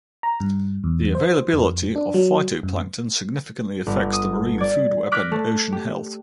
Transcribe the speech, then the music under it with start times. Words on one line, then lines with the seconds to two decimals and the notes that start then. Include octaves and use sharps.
The availability of phytoplankton significantly affects the marine food web and ocean health.
0.23 A#5
0.40 G2
0.84 E2
1.15 C5
1.53 F2
1.96 D4
2.14 F#3
2.63 F#2
3.87 G1
4.13 D#6
4.58 D5 G#6
5.12 D6 F6 F#6 G#6 A#6 B6
5.32 A3
5.72 G4